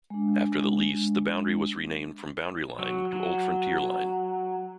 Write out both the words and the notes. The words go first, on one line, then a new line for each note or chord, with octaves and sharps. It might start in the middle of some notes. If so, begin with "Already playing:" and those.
After the lease, the boundary was renamed from Boundary Line to Old Frontier Line.
G#3 D4
F#3
F#3